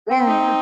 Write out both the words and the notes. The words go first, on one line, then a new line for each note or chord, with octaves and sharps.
Yeah, yeah.
C4
D#4